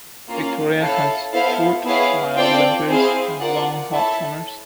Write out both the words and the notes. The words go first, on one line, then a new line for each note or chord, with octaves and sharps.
Victoria has short mild winters and long hot summers.
A#3 C#4 F4
E4 A4 C#5 F5
B3 E4 A4 C5 F5
B3 E4 G#4 C#5 F5
C4 F4 A4 D5 G5
C4 E4 G#4 C5 F5
F4 A#4 D5 F#5
E4 A4 C#5 E5 A5